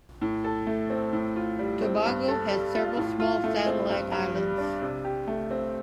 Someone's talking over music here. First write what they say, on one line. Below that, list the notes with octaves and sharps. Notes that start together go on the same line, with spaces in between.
Tobago has several small satellite islands.
A2
A4
A3
C4
A2
F4
G3
C4
G2
A4
G3
F4
A2
F4
A3
C4
G2
G2
G3
D4
C3
G4
A3
C4